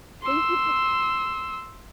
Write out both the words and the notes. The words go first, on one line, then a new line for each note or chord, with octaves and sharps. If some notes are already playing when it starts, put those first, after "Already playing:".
Thank you fo
C6 E6